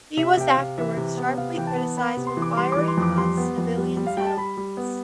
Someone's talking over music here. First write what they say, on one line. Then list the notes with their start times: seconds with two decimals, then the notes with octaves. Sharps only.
He was afterwards sharply criticized for firing on civilian settlements.
0.17 C3 E5
0.37 C3 G5
0.47 F5
0.57 C3
0.78 E3 E5
0.97 C3
1.17 B3
1.37 C3 F5
1.57 E3 G5
1.67 A5
1.78 B3
1.97 B3 B5
2.17 C3
2.27 C6
2.37 E3
2.42 D6
2.57 G3 C6
2.72 E3 D6
2.88 C6
2.97 F2 D6
3.17 G3 C6
3.37 B3
3.57 F2
3.77 G3
3.97 G3
4.07 F5
4.17 G3 G5
4.26 A5
4.37 G3 B5
4.57 G3
4.77 B3